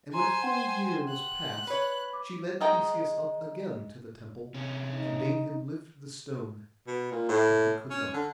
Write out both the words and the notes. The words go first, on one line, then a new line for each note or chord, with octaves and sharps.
And when a full year was past she led Theseus up again to the temple, and bade him lift the stone; but he could not.
C5 G#5 A#5 C6
F#5 G5 C6
F#6
B4 C#5
D6
G#3 D#4 D#5 G5
C3 C#4
D#4
B2
A#2
A2
C#4
D3